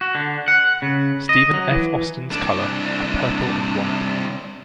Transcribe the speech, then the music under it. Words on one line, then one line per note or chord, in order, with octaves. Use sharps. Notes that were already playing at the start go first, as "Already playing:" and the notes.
Stephen F. Austin's color are Purple and White.
F#4
D3
F#5
C#3
D#5
F#3
E3
C2 D4